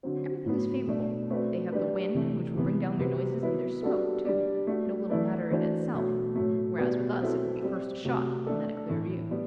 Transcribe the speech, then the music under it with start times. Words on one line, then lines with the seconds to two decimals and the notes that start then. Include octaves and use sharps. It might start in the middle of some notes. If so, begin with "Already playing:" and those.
Everything is favorable; they have the wind, which will bring down their noises and their smoke, too, no little matter in itself; whereas, with us it will be first a shot, and then a clear view.
0.03 D3 F#3 C4
0.46 A2 F#3 B3
0.87 B2 A3 D4
1.30 A3 C4 F#4 B4 D5
1.72 G3 D4 G4 B4
2.15 C3 E3 A3
2.56 C3 E3 B3
2.99 C3 F#3 C4 G4 B4
3.41 F#3 B3 E4 B4
3.83 G3 D4 F#4 A4
4.25 G3 D4 G4 D5
4.67 A3 D4 F#4
5.09 E3 A3 E4 B4 D5
5.51 E3 A3 D4 F#4 C5
5.94 B2 F#3 A3
6.35 A2 F#3 A3
6.78 B2 G3 B3 F#4 B4
7.20 F#3 C4 E4 A4
7.63 G3 C4 G4
8.05 C3 F#3 A3
8.47 A3 D4 A4
8.89 A2 E3 A3
9.31 G3 B3